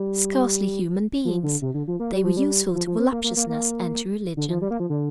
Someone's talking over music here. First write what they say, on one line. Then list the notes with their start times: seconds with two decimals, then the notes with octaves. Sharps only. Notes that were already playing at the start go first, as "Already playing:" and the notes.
Scarcely human beings, they were useful to voluptuousness and to religion.
Already playing: G3
1.25 F3
1.43 D3
1.62 C3
1.74 D3
1.88 F3
2.00 A#3
2.12 G3
2.24 F3
2.37 G3
2.74 F3
2.87 F3
2.99 C4
3.12 A#3
3.24 A#3
3.37 A#3
3.49 A#3
4.37 D3
4.50 F3
4.62 G3
4.71 A#3
4.80 F3
4.90 D3